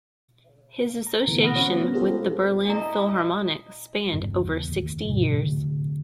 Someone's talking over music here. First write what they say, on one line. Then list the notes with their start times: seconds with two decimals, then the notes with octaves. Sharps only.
His association with the Berlin Philharmonic spanned over sixty years.
1.07 A#5
1.27 B2 D3 E3 A3 B3
1.43 F#5 B5 D#6 F6 F#6 A#6
1.55 A3 C4 C#4 F#4 C5 C#5
1.71 B3 C#4
1.93 G#3 C#4 F4 G4 A4 C5
2.65 D4 E4 D#5 A#5
4.12 G1 E2 G2 C#3
4.43 E2
4.69 A1 D#2
5.04 E2 G#2 C3 F3
5.32 A2 D3